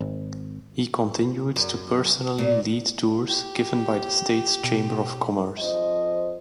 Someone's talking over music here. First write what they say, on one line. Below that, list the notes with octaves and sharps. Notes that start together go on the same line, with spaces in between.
He continued to personally lead tours given by the state's Chamber of Commerce.
G#1
F#2
A#2
G4
B2
F2 F3 C5 D#5